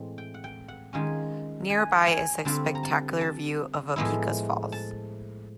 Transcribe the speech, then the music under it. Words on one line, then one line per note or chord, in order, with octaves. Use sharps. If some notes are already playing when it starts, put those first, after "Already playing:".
Nearby is a spectacular view of 'Opaeka'a Falls.
Already playing: A2 E3 G#3 C4
G5
F#5
G5
F#5
D#3 G#3 C#4 F4 G#5
G#5
G#5
D3 G3 C4 F4 A5
A#5
A5
A5
A2 F3 G#3 B3 E4
A5